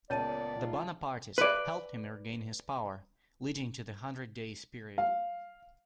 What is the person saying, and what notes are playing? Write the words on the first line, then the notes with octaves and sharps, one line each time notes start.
The Bonapartists helped him regain his power, leading to the Hundred Days period.
C#2 A#2 B3 C#5 D5 A5 D#7
G#3 D#4 F4
B4 D5
F5